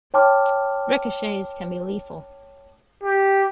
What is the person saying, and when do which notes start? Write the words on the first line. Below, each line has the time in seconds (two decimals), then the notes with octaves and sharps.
Ricochets can be lethal.
0.14 C#5 G5 A5 C6 D6 F6
3.03 G4